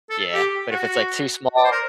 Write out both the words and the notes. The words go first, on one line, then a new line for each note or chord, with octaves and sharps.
yeah, but if it's, like, too small,
A4
G4
F#4
D5
C5
A#4